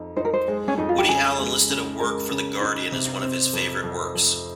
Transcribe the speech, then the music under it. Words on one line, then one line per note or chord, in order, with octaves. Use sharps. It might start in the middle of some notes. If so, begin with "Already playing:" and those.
Woody Allen listed a work for The Guardian as one of his favorite works.
Already playing: F2 D#4
D#4 C5
A#4
C5
G#3
C#4
F2 D#4
F4
G4
C#3 G#4
G#3
C#3
G#3 A#4
C#3
D#4
C3
C4
F2
F2
F2